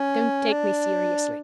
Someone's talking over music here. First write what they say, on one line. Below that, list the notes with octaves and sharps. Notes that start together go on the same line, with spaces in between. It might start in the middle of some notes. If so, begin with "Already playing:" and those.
Don't take me seriously.
Already playing: C#4
D4